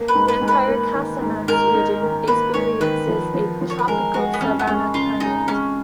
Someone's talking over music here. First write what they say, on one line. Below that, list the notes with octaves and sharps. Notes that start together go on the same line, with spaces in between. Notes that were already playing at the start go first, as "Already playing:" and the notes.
The entire Casamance region experiences a tropical savanna climate.
Already playing: A#3
B4
G#2
B4
G#2
B4
A#3
D#3
G#2
G#2 A#4
D#4
D#3
A#3 B4
G#2 C#5
D#3 B4
F3
F3
F3
C#5
B4
G#3 A#4
G#3 F#4
B3
F2 C#4
B3
G#3 C#4
C#3 F4
G#3 D#4
G#3 C#4